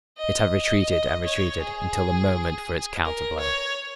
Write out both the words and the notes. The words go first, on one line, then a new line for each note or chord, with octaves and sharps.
It had retreated and retreated, until the moment for its counter-blow.
D#5
D#5
C#5
G#4
A#4
C#5